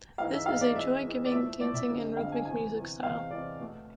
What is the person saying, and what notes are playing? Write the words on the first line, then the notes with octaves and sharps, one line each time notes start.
This is a joy-giving, dancing and rhythmic music style.
G#2 E3 G#3 F5
E5
G#2 E3 G#3 F5
D5
F2 E3 G#3 E5
F2 E3 G#3
D5
A2 F3 A3 E5
A2 F3 A3 D5
E5
F2 D3 G#3
F2 D3 G#3 F5
G#5
E2 C3 E3 G#5
E2 C3 E3
E2 C3 E3 G#3 F5
E2 C3 E3 G#3 D5
B2 A3